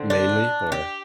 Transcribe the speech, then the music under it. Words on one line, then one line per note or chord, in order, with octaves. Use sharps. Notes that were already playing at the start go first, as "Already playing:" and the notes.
mainly or
Already playing: D3 C4
D4
G4